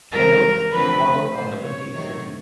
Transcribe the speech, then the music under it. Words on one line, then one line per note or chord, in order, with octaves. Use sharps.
Channel's "Wild on the Windy City".
E3 G#3 C4 A#4
D3 F3 A3 C4 B4
A2 F3 G#3 B3 C5
C#5
C3 D#3 F#3 A3